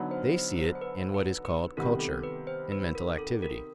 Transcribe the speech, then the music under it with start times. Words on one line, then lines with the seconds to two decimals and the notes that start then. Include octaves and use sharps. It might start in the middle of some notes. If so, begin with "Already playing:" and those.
They see it in what is called culture--in mental activity.
Already playing: D3 F#3 B3 D#4
0.11 C5
0.34 C5
0.59 C5
0.75 C5
0.81 B4
1.14 B4
1.45 B4
1.77 C3 D#3 G3 B3 A#4
2.00 A4
2.24 B4
2.47 C5
2.72 B4
2.95 A#4
3.18 A4
3.42 A#4